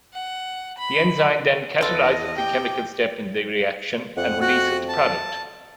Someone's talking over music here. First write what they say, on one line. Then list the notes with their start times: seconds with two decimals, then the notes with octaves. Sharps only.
The enzyme then catalyzes the chemical step in the reaction and releases the product.
0.14 F#5
0.78 B5
1.81 E2 F4 A4 B4 D#5
2.36 G4 G5
4.17 F2 F#5
4.41 F#4 F#5
4.88 A5